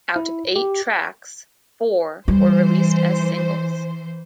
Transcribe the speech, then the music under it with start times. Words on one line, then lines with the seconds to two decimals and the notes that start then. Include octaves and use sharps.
Out of eight tracks, four were released as singles.
0.16 E4
0.56 G4
2.28 E3 G3 C5